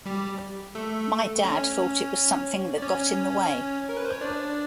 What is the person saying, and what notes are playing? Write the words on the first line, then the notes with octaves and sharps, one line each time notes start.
My dad thought it was something that got in the way.
G3 G4
A3 A4
C#4 C#5
D5
C#4 C#5
A#4
B4
C5
C#5
D4 D5